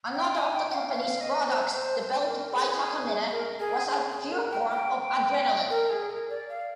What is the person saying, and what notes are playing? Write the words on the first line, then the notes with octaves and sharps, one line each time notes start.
Another of the company's products developed by Takamine was a pure form of adrenaline.
G5
G#5
G5
G5
F5
F5
D#5
C5
C5
C5
A#4
G#4
A#4
G#4
G#4
A#4
G5
G5
A#4
G#4
A#4
D5
F5